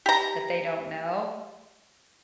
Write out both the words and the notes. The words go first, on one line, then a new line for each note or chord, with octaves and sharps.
that they don't know,
G4 A#5